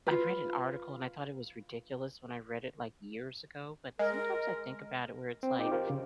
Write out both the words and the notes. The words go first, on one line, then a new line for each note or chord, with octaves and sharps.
I've read an article and I thought it was ridiculous when I read it, like, years ago, but sometimes I think about it where it's like,
F4 B4
G#3 A#4
C4
D#4 F4 G#4 D#5 G5 D6
F4 G4 A#4 C5 F5
C#3